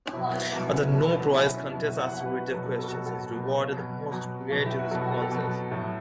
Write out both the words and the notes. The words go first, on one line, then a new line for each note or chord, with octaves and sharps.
Other No-Prize contests asked readers questions and rewarded the most creative responses.
B2 F#3 E4
F#4
E4
B2 F#3 B3
C#4
E4
B2 F#3 A4
A4
F#4
B2 F#3 E4
C#4
B2 F#3 E4
F#4
F#5
B2 F#3 F#5
B4
F#4
B2 F#3 A4
A4
A4
F#4
B2 F#3 A4
A4
F#4
B2 F#3
B2 F#3
B2 F#3
B2 F#3
E4
F#4
B2 F#3 A4
F#4
A4
A4
B2 F#3
A2 F#3